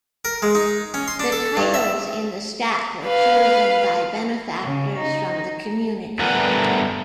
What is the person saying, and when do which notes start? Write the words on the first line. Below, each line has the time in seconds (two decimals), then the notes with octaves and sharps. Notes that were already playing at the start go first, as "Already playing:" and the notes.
The titles in the stack were chosen by benefactors from the community.
0.25 A#4
0.42 G#3
0.55 D#4
0.94 C#4
1.08 C6
1.20 D4
1.32 A4
1.57 G2
1.74 E5
3.05 B4 F5
4.64 C#3
4.98 D#4
6.19 G2 A3 B3 A#4 F#5 G#5